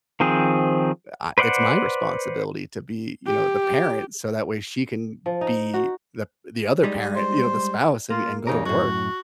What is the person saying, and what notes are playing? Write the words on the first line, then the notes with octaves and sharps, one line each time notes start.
I It's my responsibility to be, you know, the parent so that way she can be the the other parent, you know, the spouse and and go to work.
D#3 F3 C4 G#4
B4 C5 D5 D#5 F#5
G4
F3
D#4
F#4
G3 G#3 D#4
C5
A#3 F4
E2 C#3 D#4 A#4
F#2 A2 F#4